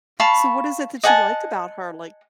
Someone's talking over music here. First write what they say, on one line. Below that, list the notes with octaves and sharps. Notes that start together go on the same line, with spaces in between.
So what is it that you like about her? Like,
F5 A5 B5 C#6
D#5 F#5 G#5 A5